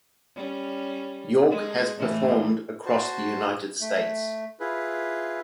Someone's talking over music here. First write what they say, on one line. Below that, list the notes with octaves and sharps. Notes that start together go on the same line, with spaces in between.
York has performed across the United States.
G3 C#4
G#3
A2 E3 A3
F#4 C5 A5
A3
E4 F4 G#4 B4